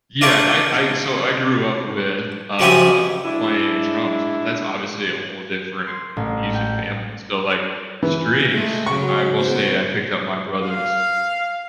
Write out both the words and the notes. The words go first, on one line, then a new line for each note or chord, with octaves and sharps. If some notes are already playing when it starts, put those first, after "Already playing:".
Yeah, and I I So, I grew up with, uh, playing drums, but that's obviously a whole different music family, so, like, strings, I will say I picked up my brother's,
D4 F4 A#4 D5 E5 C#6
C#3 F3 F#4 G4 E5 G#5
G#3 D4 E4
C6
A1
G5
E3
G#3 A3
C#3 F#3 C#6
B3 C5
F5